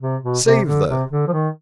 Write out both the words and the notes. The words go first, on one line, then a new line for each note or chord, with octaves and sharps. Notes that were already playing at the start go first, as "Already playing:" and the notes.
"Save the--!"
C3
B2
C3
D3
C3
D3
F3
D#3